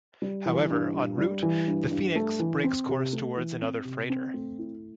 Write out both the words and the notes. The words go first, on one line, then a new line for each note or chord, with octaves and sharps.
However, en route, the "Phoenix" breaks course towards another freighter.
G3
E3
G2
G2
G3
E3
G2
G2
A3
E3
C4
C3
A3
E3
C4
C3
C4
A3
E4